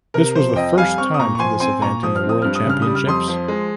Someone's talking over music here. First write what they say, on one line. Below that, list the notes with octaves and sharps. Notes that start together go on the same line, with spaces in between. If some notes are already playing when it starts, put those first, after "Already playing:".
This was the first time for this event in the World Championships.
C3 A#4
F3 C5
F2 D#5 G5
G3 F5 G#5
C4 C#6 F6
D#6
A#2 A#5 C#6
C#6
F3 G#5 C6
C4 G#5 C6
A#2 A#5 C#6
F3 D#6
F6
C4
D#6
G2 F6
D#6
C#3 F6
G3 D#6
F6
F2 C6 D#6
F3
G#3